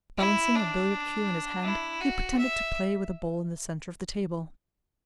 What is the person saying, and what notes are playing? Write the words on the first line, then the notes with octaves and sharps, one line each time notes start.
Balancing a billiard cue in his hand, he pretended to play with a ball in the center of the table.
E4
D4
E4
F#4
E5